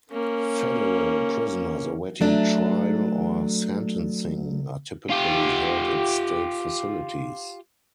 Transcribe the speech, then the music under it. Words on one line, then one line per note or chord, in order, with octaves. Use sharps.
Federal prisoners awaiting trial or sentencing are typically held in state facilities.
A#3 C#4
F#3 A3 D4
F4 G4